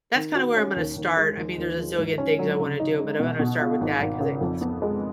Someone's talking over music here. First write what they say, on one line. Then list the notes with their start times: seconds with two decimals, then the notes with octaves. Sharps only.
that's kinda where I'm gonna start, I mean, there's a zillion things I wanna do, but I'm gonna start with that 'cause it s
0.15 D#3
0.35 F#4
0.56 C#4
0.76 D#2
0.96 D#2
1.17 G#3
1.37 D#2
1.58 D#2
1.77 F3
1.98 G#2
2.18 C#4
2.39 F#3
2.59 C#3
2.80 D#4
3.00 G#3
3.20 B2
3.39 B2
3.60 F4
3.81 G#1
4.00 G#1
4.20 C#3
4.41 F2
4.61 B3
4.82 G#3